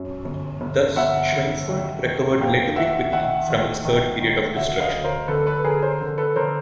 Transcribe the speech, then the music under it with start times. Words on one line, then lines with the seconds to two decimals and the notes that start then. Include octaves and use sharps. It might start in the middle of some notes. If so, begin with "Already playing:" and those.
Thus Schweinfurt recovered relatively quickly from its third period of destruction.
Already playing: F#2
0.25 G1
0.61 G1
0.96 G1 E5 F#5
1.33 G1
1.68 D#3
2.05 D#3
2.41 F#1 F5 G5
2.76 D#3 E5 F#5
3.12 D#3 E5 F#5
3.49 D#3
3.85 D#3
4.21 D#3
4.56 D2 E5 F#5
4.80 D#5 F5
4.92 D2
5.04 A#4 C5
5.28 D3 A4 B4
5.46 A4 B4
5.64 D3 G#4 A#4
5.82 A#4 C5
6.01 D3
6.18 A4 B4
6.36 D3 A#4 C5